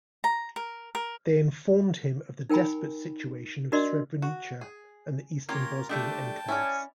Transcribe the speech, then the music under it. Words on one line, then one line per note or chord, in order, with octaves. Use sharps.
They informed him of the desperate situation of Srebrenica and the eastern Bosnian enclaves.
A#5
A#4
A#4
D#4 A#4 G5 G#5 B5
D4 F#4 A#4 D5 D#5 C6
F#4
G#4
A#3 C#4 F4 G4 A#4
G3 A3 D4 G5 A5
C#4 E4 C#5 D5